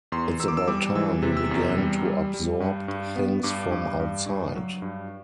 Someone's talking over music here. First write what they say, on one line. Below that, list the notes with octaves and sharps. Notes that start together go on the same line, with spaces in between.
It's about time we began to absorb things from outside.
E2 C6
E2 E6
D6
E6
G3 D6
E3 E6
C3
E6
E2
G3
G3
G3
G2
G2
B3
G2 D6
G2
G2
G2
F#3
G2